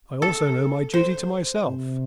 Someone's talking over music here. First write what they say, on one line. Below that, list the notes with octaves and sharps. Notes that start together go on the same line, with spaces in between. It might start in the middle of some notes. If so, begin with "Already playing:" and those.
I also know my duty to myself.
A4
C5
C3